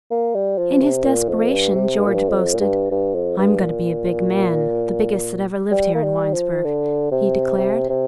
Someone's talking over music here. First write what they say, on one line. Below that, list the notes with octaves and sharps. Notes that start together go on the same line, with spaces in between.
In his desperation George boasted, "I'm going to be a big man, the biggest that ever lived here in Winesburg," he declared.
A#3
G3
F3
C3
A#2
F2
G2
C3
G2
A#2
G2
F2
A#2
G2
G2
F2
G2
A#2
G3
A#3
G3
F3
D3
C3
C3
C3